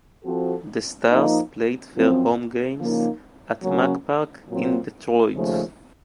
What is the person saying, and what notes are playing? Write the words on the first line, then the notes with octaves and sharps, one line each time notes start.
The Stars played their home games at Mack Park in Detroit.
F3 C4 F#4 A4
F3 A#3 D#4
F#2 F3 C4
C#3 F3 A#3 D#4
C#3 F#3 A#3 C#4
A#2 F#3 C4
D#2 C#3 F3 A3